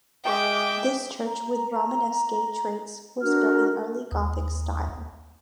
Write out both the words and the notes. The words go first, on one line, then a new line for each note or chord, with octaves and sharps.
This church with Romanesque traits was built in early Gothic style.
G#3 E5 G5 D6
A#5
D4 F#4 A#4 F6
D#2